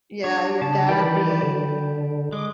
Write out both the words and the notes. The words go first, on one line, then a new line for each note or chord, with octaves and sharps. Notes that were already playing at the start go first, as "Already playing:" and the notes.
yeah, your dad being
D4 C#5
C#3 A5
D#3 E3 D5 G5 B5
D3
G#3 D6